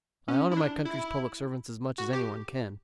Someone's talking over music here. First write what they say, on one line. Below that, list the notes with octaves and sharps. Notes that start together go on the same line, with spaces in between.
I honor my country's public servants as much as any one can.
C#4
E4
D4
E4
F#4
G4